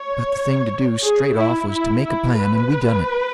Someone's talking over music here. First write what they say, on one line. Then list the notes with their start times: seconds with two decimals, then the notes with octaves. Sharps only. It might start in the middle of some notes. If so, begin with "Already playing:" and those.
But the thing to do, straight off, was to make a plan; and we done it.
Already playing: C#5
1.03 G#4
1.36 E4
1.70 E4
2.03 E4
2.37 B4